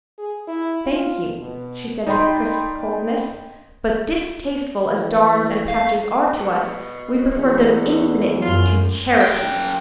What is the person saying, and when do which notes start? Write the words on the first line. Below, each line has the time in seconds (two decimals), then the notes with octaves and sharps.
"Thank you," she said with crisp coldness; "but, distasteful as darns and patches are to us, we prefer them, infinitely, to--charity!"
0.19 G#4
0.47 E4
0.85 F4
1.41 B2
2.06 D#4 D5 D#5 G5 B5 C6
4.90 E3
5.68 F5
6.38 B2
7.33 E2
8.42 F#2 F4
9.21 F#2 G5